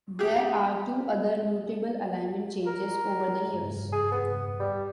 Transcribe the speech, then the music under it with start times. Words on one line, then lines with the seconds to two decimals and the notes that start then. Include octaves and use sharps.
There are two other notable alignment changes over the years.
0.19 G4 G#4
2.66 A#4
3.93 G#4
4.12 B3
4.60 G3